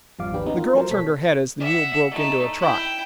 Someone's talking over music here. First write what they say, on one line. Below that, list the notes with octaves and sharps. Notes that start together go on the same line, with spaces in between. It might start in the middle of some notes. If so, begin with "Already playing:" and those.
The girl turned her head as the mule broke into a trot.
G#1 F2 F3 G3 F5 D6
G#1 D#2 D4 G4 B4
B3 C#4 D#4
F4 A#4
F3 F#3 A3 A#4 C5
B2 A4 C#5 B6
E5 F#5
A3 D#4
E4 G5